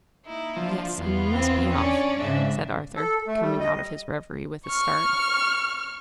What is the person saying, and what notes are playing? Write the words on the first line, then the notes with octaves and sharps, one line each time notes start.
"Yes, I must be off," said Arthur, coming out of his reverie with a start.
A#3 D#4 E4
F3 D4
E2 B3 F4
C4
C#4 D4 C#5 D5
G#2 C#3 C4 D4 E5
A4
A3
G3
D#5
C#6 F6